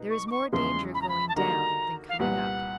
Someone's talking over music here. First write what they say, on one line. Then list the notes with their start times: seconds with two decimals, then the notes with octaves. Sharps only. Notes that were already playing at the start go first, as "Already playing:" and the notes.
There is more danger going down than coming up.
Already playing: B2 B3 D#4
0.10 C#6
0.28 D6
0.31 C#6
0.53 E2 C#3 F3 G#3 C#4 C6
0.94 B5
1.02 A#5
1.09 B5
1.29 A5
1.36 D3 G3 A#3 D#4 F#4 A#5
2.09 F5
2.19 C2 A#2 G3 B3 F#5